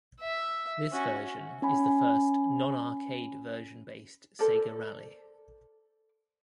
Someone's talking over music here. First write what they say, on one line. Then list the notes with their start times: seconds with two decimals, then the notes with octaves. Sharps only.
This version is the first non-arcade-version-based Sega Rally.
0.21 E5
0.91 C#4 F#4
1.62 C#4 G#5 B5
4.39 A4 A#4 C5 D5